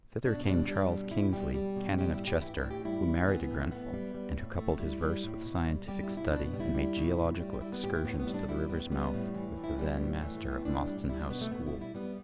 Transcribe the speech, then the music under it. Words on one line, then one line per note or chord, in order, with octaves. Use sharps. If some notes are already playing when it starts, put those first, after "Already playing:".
Thither came Charles Kingsley, Canon of Chester, who married a Grenfell, and who coupled his verse with scientific study and made geological excursions to the river's mouth with the then Master of Mostyn House School.
B2 D4
G3 D4
G3
B2
B2 E4
G3 G4
G3
B2
G3 G4
E4
A2
G4
E3 E4
D4
A2
G4
G3 E4
A2
A3
E3 B3
B3
A2
A3
A2 B3
G3
G3
A2
A2 A3
G3 E4
G3
A2
B2
G3
G3 G4
E4
B2
E4
B2 D4
B3
G3
E4
G3
B2
A2
G3
G4
G3 E4
B3
A2 G4
E4
A2 B3
B3
G3
D4
G3 E4
A2 B3
G3 B3
A2
E3
A2
E4
G3 B3
A2
E3 A3
A3
A2
B3
B2 D4
G3
G3 E4
D4
B2 B3
A3
B2 B3
E4
G3
E4
G3 B3